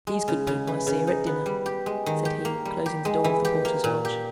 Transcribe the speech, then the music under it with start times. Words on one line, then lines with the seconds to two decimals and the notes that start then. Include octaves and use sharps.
These good people, I see, are at dinner;' said he, closing the door of the porter's lodge.
0.07 G#3
0.28 C#3
0.47 C#3
0.67 E3
0.87 C#3
1.07 D#4
1.26 B3
1.46 G3
1.66 G4
1.86 G#3
2.06 D#3
2.25 G4
2.45 A#3
2.65 G3
2.86 G4
3.05 G#3
3.24 E3
3.45 G4
3.65 A#3
3.84 A#2
4.05 G4